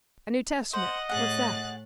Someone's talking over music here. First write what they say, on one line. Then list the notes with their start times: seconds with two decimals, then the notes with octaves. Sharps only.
"A New Testament; what's that?"
0.73 C5 D#5 F#5
1.09 A2 G#4 F#5 F#6 A6